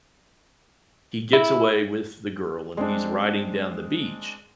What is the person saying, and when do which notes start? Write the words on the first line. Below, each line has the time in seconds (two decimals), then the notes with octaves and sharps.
he gets away with the girl, and he's riding down the beach,
1.33 E4
2.77 G#3 C4 D4